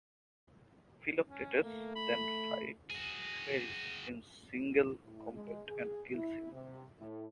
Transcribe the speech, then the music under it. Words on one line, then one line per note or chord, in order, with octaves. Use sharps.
Philoctetes then fights Paris in single combat and kills him.
C#4
A3 A#3
B5
F#4 G#4
A2
G#3
G#4
E4
C3
A2